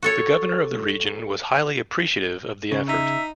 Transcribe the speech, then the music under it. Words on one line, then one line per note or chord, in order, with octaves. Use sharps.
The governor of the region was highly appreciative of the effort.
F#4 A4 C#5
C#3
D#4 E5